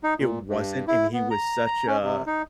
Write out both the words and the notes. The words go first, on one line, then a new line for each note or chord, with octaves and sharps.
it wasn't, and he was such a
D#4
A#2
G2
E4
B3
A#5
A#5
C#4
C3
D#4